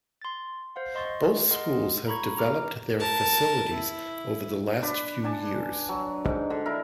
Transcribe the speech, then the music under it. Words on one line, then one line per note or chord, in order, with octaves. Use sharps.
Both schools have developed their facilities over the last few years.
C6 A6
C5 F5 F#5
D#5 C6 C#6 A6
G#4 A#4 D#5 F#5 C6
A#5 B5 C#6 G#6
A#5 D6 F6
A#4 A5
E4
D4 B4
D4 G#5 A5
F#3
G#2
D3
E4 A#4